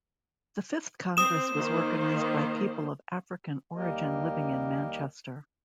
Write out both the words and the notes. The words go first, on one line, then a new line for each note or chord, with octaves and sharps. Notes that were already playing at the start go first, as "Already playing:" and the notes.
The fifth congress was organized by people of African origin living in Manchester.
C4 C5 D#6 E7
D#3 A#3 C5
D#2 G3 A#3 G4 A#4 D#5